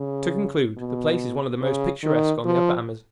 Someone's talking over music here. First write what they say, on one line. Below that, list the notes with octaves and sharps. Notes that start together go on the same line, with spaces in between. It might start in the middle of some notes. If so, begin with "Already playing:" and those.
To conclude, the place is one of the most picturesque on the Upper Amazon.
Already playing: C#3
B2
C#3
D#3
F3